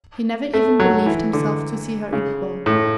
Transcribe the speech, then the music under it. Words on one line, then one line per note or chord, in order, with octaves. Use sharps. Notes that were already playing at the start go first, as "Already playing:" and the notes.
He never even believed himself to see her equal.
A3
F#3
E3
D3
C#3
A2